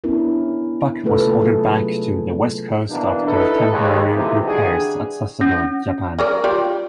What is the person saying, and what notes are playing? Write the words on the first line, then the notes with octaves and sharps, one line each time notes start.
"Buck" was ordered back to the west coast after temporary repairs at Sasebo, Japan.
B3 C#4 D4 E4 A#4
C3 A3 F4 A4 B4
F#3 G#4 A4
B2 E3 A#3 D4
D#4 E4 A4 B4
D#2 G#3
C3 E3 F3 A3 D#4 E4
D3 E3 G3 F#4 G#4
C#4
F#3 A#4 D5
F4 G4 D5